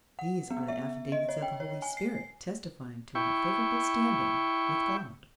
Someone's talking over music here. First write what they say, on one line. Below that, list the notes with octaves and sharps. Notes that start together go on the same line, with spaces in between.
These are the affidavits of the Holy Spirit testifying to our favorable standing with God.
F#5
B3
E5
D#5
C#5
G5
C#5
G#5
C7
E4 G5 C#6